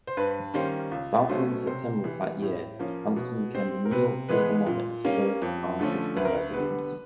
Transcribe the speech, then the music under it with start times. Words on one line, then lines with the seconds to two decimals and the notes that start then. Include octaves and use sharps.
Starting in September of that year, Hampson became the New York Philharmonic's first Artist-in-Residence.
0.07 C5
0.17 G2 B4
0.54 D#3 G3 A#3 C#4 C5
0.91 C#2
1.29 B2 F#3 A3 C#4 C5
1.66 C3 C5
2.04 E3 G3
2.42 A2
2.79 F3 A#3 C#4
3.16 B2
3.54 G3 C4 C5
3.85 A#4
3.91 C3 B4
4.29 E3 G#3 B3 B4
4.66 A#2
5.04 G3 A#3 C#4
5.42 F2
5.79 D3 F3 A3 C#4
6.17 D2 B4
6.25 A#4
6.34 B4
6.53 D3 G3 B3 B4